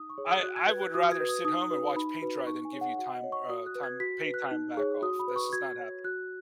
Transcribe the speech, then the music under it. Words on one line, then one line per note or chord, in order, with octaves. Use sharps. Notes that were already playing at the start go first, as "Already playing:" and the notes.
I I would rather sit home and watch paint dry than give you time er, time paid time back off. That's just not happening.
Already playing: D#4 D#6
C#6
G#4 C#5
D#6
F#4 F#6
G#6
B4
F#6
F#4 D#6
G#6
B4
D#6
D#4 D#6
F#4 B4
D#4 B5
F#4 B4
D#4 C#6
G#5
G#4 C#5
F#5
F#4 F#5
D#5
C#5
C#6
F#4 D#6
F#6
B4
G#6
F#4 B6
B4
F#6
D#4
G#4 C#5
F#4 D#6
B5
B4
C#6
F#4 G#6
C#5
F#4 F#6